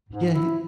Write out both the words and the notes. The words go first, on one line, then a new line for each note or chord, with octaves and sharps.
Yeah, he
G#2
E4